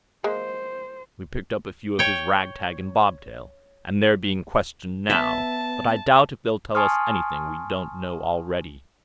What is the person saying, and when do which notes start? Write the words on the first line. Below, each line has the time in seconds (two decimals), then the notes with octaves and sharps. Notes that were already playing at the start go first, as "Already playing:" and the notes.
We picked up a few of his ragtag-and-bobtail, and they're being questioned now, but I doubt if they'll tell us anything we don't know already.
0.24 G#3 A#3 C5
1.99 C#5 G5
5.10 B3 E5 A5
6.75 G#5 A5 C6 C#6 D#6 F6